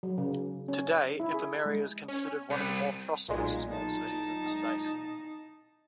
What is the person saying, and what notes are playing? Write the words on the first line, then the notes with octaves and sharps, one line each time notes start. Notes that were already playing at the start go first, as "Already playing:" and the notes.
Today Ipameri is considered one of the more prosperous small cities in the state.
F#3
C#3
C#4
E4
G#4
G#3
C#4
C2 C#7
B1 A#2 G#3
D#4 A5